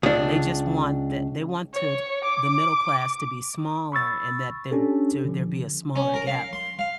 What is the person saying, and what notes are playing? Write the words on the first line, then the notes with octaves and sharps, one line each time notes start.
they just want the that they wanted the middle class to be smaller and that there to there'd be a smaller gap
C#2 D4
C#5
D6
B5 C#6 E6 A6
C#4 D4 G4 A4
D3 F3
C#4
A#4
F5
C6
F5